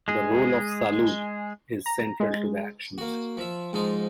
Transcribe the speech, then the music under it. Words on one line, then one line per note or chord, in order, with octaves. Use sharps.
The role of Salud is central to the action.
G#3 G#4
A#5
G#3
A#3 F#4
F3 E5
G#2 F3 D#4 D#5